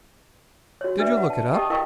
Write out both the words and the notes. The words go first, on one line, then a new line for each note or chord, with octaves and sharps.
"Did you look it up?"
F#4 C#5
D4 B4 D5 E5
F#5
A5
G4 D#5 G5 A5 D#6
E4 A#4 D#5 F5 G5 C#6